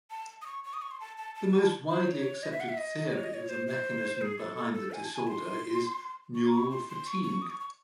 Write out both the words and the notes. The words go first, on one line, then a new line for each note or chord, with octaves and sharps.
The most widely accepted theory of the mechanism behind the disorder is "neural fatigue".
A5
D#6
C#6
C#6
D#6
C#6
C6
A5
A5
A5
C5
C#5
D#5
E5
F#5
E5
D#5
C#5
D#5
C#5
C5
C5
G#4
A4
A4
A4
G#5
A5
G#5
C6
C#6
C#6
C6
C6
C#6
C#6
D#6
C#6
C#6